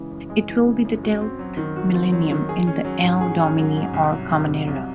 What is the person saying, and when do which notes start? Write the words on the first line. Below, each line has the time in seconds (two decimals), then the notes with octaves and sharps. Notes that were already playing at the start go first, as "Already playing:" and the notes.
It will be the tenth millennium in the Anno Domini or Common Era.
Already playing: C#3 E3 G#3
0.11 F#2
0.30 G#3
0.48 E3
0.67 C#3
0.85 F#2
1.03 F#4
1.21 C4
1.39 F#3
1.57 D#3
1.76 F#4
1.94 C4
2.12 F#3
2.31 D#3
2.49 G#4
2.67 C#4
2.85 F#3
3.03 G#2
3.21 G#4
3.40 C#4
3.58 F#3
3.76 G#2
3.94 C2
4.12 F#3
4.31 C3
4.48 C2
4.67 C2